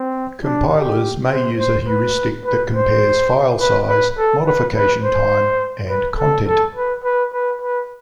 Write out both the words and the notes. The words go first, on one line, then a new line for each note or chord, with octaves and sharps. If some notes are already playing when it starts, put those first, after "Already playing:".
Compilers may use a heuristic that compares file size, modification time and content.
Already playing: C4
D4
G4
C5
C5
B4
B4
C5
B4
B4
A4
B4
B4
C5
B4
A4
A4
B4
B4
B4
B4